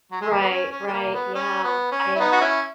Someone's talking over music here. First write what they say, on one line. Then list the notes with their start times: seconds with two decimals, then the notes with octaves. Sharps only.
Right, right, yeah, I
0.12 F#3
0.21 G#3
0.31 A#3
0.40 B3
0.50 C#4
0.71 C#4
0.87 G#3
0.93 A#3
1.14 B3
1.35 C#4
1.64 B3
1.92 C#4
2.16 E4
2.19 B3 D#4
2.32 F#4
2.41 C#4 E4